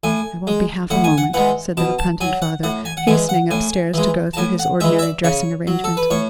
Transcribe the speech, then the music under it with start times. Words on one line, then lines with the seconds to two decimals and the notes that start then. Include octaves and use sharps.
"I won't be half a moment," said the repentant father, hastening up-stairs to go through his ordinary dressing arrangement.
0.04 A2 G#5
0.47 G#3
0.90 A2 F#5
1.04 G#5
1.18 F#5
1.34 E3 G#3 F#5
1.77 B2 A5
1.99 A5
2.21 F#3 G#5
2.42 F#5
2.63 A2 F#5
2.85 G#5
2.97 F#5
3.07 E3 G#3 G#5
3.29 F#5
3.51 A2 G#5
3.94 E3 G#3
4.33 A5
4.37 A2 G#5
4.59 F#5
4.80 E3 G#3 E5
4.99 E5
5.02 D5
5.24 C#3 C#5
5.67 F#3
5.84 A4
5.97 B4
6.10 A2 C#5